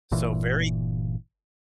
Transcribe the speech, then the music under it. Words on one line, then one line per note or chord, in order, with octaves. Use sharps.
so very
G1 A#2 E3